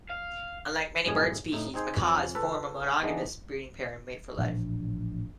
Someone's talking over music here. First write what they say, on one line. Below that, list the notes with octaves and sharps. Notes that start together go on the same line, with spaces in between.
Unlike many bird species, macaws form a monogamous breeding pair and mate for life.
F5
C2 F#2 A2 G#3 E4 G#4
D2 A2 D#4
C4 D#4 G#4 C5
F2 C#4
C#2 A4 B4
E3 G#3 B3 D4 D#4
A1 A#2 F3 D4